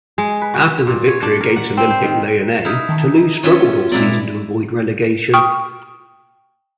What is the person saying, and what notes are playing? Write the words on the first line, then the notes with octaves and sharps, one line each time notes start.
After the victory against Olympique Lyonnais Toulouse struggled all season to avoid relegation.
G#3
B4
F#4
A#2
C#5
D4
A#4
F#5
C4
C5
D#3
D#4 E4 F6
D#3 A5
C#4 F4 E5
A#2 G#3 C4 E4 A#4 D5
G5 C#6 D#6 F6